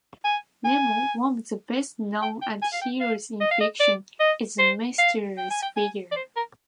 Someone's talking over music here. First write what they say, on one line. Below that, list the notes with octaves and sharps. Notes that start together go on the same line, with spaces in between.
Nemo, one of the best known antiheroes in fiction, is a mysterious figure.
G#5
G#5
G5
G5
G#5
F5
G5
F5
D#5
F5
D#5
D5
D#5
C5
F5
G5
G#5
G5
G#5
D5
C5
A#4